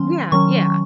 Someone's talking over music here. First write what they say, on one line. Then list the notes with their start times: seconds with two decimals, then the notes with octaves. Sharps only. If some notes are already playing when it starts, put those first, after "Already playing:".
Yeah, yeah.
Already playing: D#3 F#3 C#4 C6
0.32 D#3 F#3 C#4 C#6